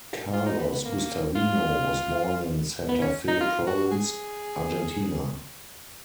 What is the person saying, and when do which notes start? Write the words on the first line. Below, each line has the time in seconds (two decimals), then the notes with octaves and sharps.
Carlos Guastavino was born in Santa Fe Province, Argentina.
0.33 F4
0.46 D#4
0.59 B3
0.72 B3
0.85 A#3
1.35 F4
2.89 B3
3.02 C#4
3.28 D#4
3.40 F4
3.67 F#4
3.92 G#4